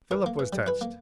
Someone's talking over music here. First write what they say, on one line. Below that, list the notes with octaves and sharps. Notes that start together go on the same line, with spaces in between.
Philip was touched.
E3 A#4
A#3
E3
G3
E3 B4
A#3